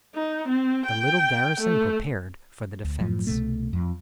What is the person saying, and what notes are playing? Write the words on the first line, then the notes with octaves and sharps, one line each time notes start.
The little garrison prepared for the defence.
D#4
C4
G5
A3
D2
F#2 A2 F3
C2 B2 A3
F2